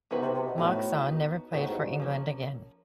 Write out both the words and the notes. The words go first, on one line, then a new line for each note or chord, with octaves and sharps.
Moxon never played for England again.
C3 B3 D#4 F#4 B4
C3
C3
B2
A2 B3 D#4 F#4 B4
B3 D#4 F#4 B4
A2 B3 D#4 F#4 B4
G#2
G2
G#2
F3 A#3 C#4